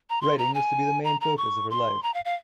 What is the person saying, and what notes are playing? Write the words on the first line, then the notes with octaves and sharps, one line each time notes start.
Writing was to be the main focus of her life.
A#5
C6
A#5
G#5
A#5
A#5
C#6
C6
A#5
F5
F5